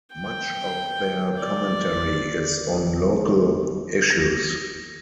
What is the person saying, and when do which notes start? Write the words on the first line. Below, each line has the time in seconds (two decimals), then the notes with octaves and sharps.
Much of their commentary is on local issues.
0.14 G5
1.38 D5
4.10 A#6